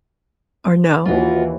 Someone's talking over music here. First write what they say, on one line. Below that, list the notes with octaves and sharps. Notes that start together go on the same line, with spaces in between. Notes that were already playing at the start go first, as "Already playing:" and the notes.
or no?
D#2 E3 F4 F#4